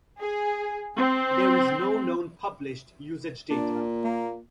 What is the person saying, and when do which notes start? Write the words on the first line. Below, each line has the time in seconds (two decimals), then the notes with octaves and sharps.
There is no known published usage data.
0.20 G#4
0.98 C4
3.50 A#2 D4
4.04 A#3